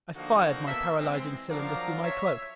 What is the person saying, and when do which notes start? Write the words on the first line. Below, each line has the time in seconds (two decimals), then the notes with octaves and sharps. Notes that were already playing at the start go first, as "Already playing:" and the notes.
I fired my paralyzing cylinder through my cloak.
0.16 D3 F3 A#3 D#4 F#4 F5
0.67 B2 A#3 A4 E5
0.99 E3 G#3 C4
1.50 F3 F#3 D4 A#4 D5 F5
2.03 C#5 E5